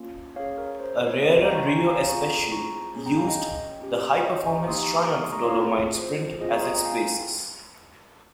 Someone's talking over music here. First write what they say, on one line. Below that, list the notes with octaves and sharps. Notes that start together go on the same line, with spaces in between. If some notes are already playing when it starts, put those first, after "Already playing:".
A rarer Rio Especial used the high-performance Triumph Dolomite Sprint as its basis.
Already playing: A#3 C#4 F4
C#4 G#4 C#5 F5
A#4 C#5
C5
A#4 C#5
C4 G4 C5 D#5
C#5 F5
G5 A#5
A#5 C#6
G#5 C6
G5 A#5
F5 G#5
G5
F5 G#5
C4 F4 G#4 A#5 C#6
A#5 C#6
C#4 G#4
G5 A#5
F5 G#5
D#5 G5
C#4 G4
D#5 G5
A#5 C#6
A#3 D#4 G4 C6 D#6
A#5 C#6
C6 D#6
C#6 F6
C6 D#6
A#5 C#6
C#5 F5
C4 F4 G#4
C5
C4 F4 G#4 C5 D#5
A#5 C#6
C6 D#6
G5 A#5
F5 G#5